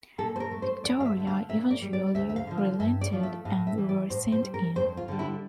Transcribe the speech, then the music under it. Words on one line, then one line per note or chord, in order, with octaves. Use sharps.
Victoria eventually relented and were sent in.
A#2 A4
C5
A#4
A3
C5
F2 D5
F5
E5
D3 A3
F5
A#2 E5
D5
G3
D5
D2 E5
E5
F5
D3 F3
F5
G2 E5
D5
F3 A3
E5
A2 F5
E5
E3 G3
D5
A2 C5
C5
G3
A#4
F2 C5
F4
D3 G3
E4